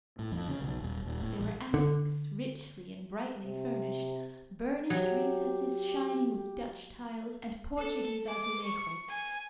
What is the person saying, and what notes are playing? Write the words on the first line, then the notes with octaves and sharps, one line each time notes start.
There were attics, richly and brightly furnished; burnished recesses shining with Dutch tiles and Portuguese azulejos.
A2
F2
C#3
B1
D#1
D#1
A2
A#1
D3
C3
F#3 G4
A4
D6
C#6
G#5